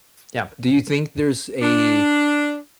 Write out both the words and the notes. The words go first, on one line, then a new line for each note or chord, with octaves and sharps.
Yeah. Do you think there's a
D4